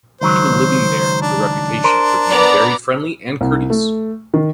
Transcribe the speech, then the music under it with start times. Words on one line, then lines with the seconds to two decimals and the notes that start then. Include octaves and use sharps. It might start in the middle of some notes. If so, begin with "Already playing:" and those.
People living there have a reputation for being very friendly and courteous.
0.21 C#2 D#3 F#3 C5
1.22 D4
1.84 A#4 C5
2.29 B3 D5 A#5
3.41 C2
3.70 A3
4.34 D#3